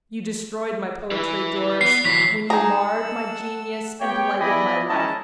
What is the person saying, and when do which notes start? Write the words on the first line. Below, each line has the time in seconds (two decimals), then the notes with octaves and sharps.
"You destroyed my poetry, Doris, when you marred my genius and blighted my life!"
1.12 E4 B4
1.81 B3 C7
2.05 E3 F#3 B6
2.50 D#4 G#4 F#5 A5 A#5 E6
4.01 B3 G4 C#5 G5
4.41 B3 E4 D5 D#5 G#5 B5
4.89 G#3 C#4 E4 D#5 A5 A#5